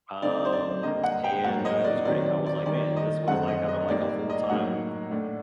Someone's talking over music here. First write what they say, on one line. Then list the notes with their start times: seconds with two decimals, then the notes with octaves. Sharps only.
um, and, uh, it was great. I was like: "Man, is this what it's like having, like, a full-time
0.22 D3 A3 C4 D#4 D5
0.45 C5
0.53 D5
0.83 D3 G3 A#3 D#5
1.04 F#5
1.24 G5
1.44 A2 F#3 A#3 F#5
1.65 D#5
1.84 D5
2.05 D#3 F#3 C4 D5
2.26 D5
2.46 D5
2.66 D#3 G3 A#3 D5
2.96 D#5
3.28 F#2 D3 A3 C4 F#5
3.48 D#5
3.68 D#5
3.88 A2 G3 A#3 D#4 D5
4.09 D5
4.29 D#5
4.49 A2 F#3 A#3 D#4 F#5
5.11 A2 A3 D4